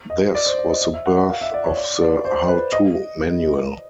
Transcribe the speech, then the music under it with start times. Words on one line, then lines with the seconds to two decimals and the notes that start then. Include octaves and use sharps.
This was the birth of the how-to manual.
0.10 D#5
0.35 D5
0.46 C5
0.58 D5
0.70 D#5
0.81 D#5
0.93 E5
1.06 F#5
1.17 F#5
1.29 F5
1.41 E5
1.54 D5
1.64 C#5
1.77 D5
2.01 D5
2.25 C5
2.49 B4
2.72 D#5